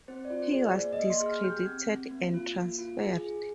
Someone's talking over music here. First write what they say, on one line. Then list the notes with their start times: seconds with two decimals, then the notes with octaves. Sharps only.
He was discredited and transferred.
0.08 C4 C5
0.25 D5
0.30 F4
0.42 C5
0.52 G#4 C5
0.59 D5
0.75 A#3 D5
0.93 D#5
0.99 A#3
1.10 C6
1.20 G#4
1.26 F6
1.40 F6
1.43 G4 G6
1.65 C4 G#6
1.89 C4
2.11 A#3
2.34 F4
2.56 A#3
2.79 F4
3.01 G#4
3.24 G#4